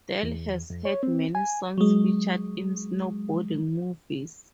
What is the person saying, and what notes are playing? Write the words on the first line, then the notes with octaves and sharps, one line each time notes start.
Del has had many songs featured in snowboarding movies.
E2
F2
C#5
C4
G#5
F#3 G#3